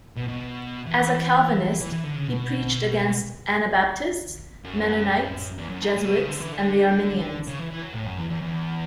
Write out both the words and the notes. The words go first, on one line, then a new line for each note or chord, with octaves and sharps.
As a Calvinist, he preached against Anabaptists, Mennonites, Jesuits and the Arminians.
B2
B2
E3
E3
E3
D3
C#3
B2
F#2
E2
F#2
G#2
A2
B2
C#3
D3
E3
D3
C#3
E3
E3
F#3
A2
F#2
E2
E2
E2